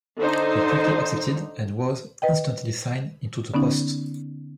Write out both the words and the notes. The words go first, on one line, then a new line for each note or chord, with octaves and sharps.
He quickly accepted, and was instantly signed into the post.
D3 D#4 C5
B4 D#5 G5
D3 B3 C#4 D#4